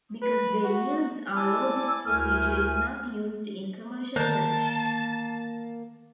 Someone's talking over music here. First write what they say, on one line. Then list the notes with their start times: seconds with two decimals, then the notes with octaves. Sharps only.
Because the yields are low this procedure is not used in commercial production.
0.22 B4
0.64 F#4
1.34 E4 D5 G#5 A5 D6 E6
2.05 D2 A3 E4 A#4 G#5 F6
4.16 D3 D#3 A#3 A#4 A5 G6